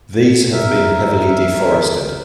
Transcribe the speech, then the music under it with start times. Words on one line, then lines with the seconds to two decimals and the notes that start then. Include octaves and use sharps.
These have been heavily deforested.
0.53 A#4 E5